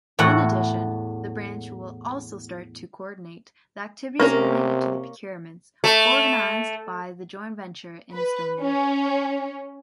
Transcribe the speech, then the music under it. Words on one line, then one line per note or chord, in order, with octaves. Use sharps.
In addition, the branch will also start to coordinate the activities related to the procurements organized by the join venture in Estonia.
E2 A2 F#4 F#5
C3 A#3 C#4 A#4
A3
B4
C#4